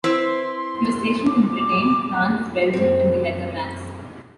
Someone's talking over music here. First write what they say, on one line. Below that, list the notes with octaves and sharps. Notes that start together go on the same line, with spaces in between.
He was stationed in Britain, France, Belgium and the Netherlands.
C4 E4 B4 C6
D6
F#2 C4